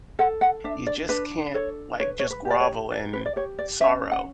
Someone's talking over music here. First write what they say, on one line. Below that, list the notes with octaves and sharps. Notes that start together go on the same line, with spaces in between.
You just can't, like, just grovel in sorrow,
A4 F#5
F#5
D4 E5
D5
D4 B4
A4 C#5
B4 C#5
C#5
B4
G4
D5
C#5
B4 D5
B4
D5
G4 C#5
D5
C#4 E5
F#5